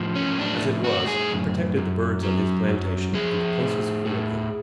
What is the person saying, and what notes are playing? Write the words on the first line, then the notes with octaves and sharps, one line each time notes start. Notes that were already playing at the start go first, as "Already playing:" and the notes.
As it was, he protected the birds on his plantation, and the place was full of them.
Already playing: A2 F3
C#4
A2 D4
A2 F#4
G#4
F#2
F#2
F#3
F#2
F3 G#4
A2
A2